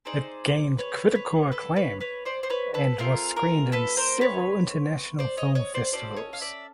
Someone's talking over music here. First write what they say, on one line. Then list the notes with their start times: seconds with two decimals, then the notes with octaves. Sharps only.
It gained critical acclaim and was screened in several international film festivals.
0.05 C4 D#4 G#4 C5 D5
0.78 B4 C#5
1.15 B4 C#5
1.52 A4 B4
1.76 B4 C#5
2.01 B4 C#5
2.25 C5 D5
2.43 C5
2.50 B4 C#5
2.74 A4 B4
2.99 A3 C4 F4 G#4 A#4
3.36 A#4
3.72 A4 B4
3.97 A#4 C5
4.21 B4 C#5
5.19 C5 D5
5.37 C#5 D#5
5.55 C#5 D#5
5.74 C5 D5
5.92 C#4 F#4 A4 C5 D5
6.17 C#5 D#5
6.33 F5
6.41 D5 E5